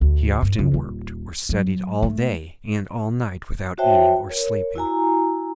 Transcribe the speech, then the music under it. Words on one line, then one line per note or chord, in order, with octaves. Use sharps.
He often worked or studied all day and all night without eating or sleeping.
D2
G2
C#2
D#1
F#3
A3
F#4 C5 C#5 E5 G5 A5
A#4 C#5
E4 F#4 G#5 A#5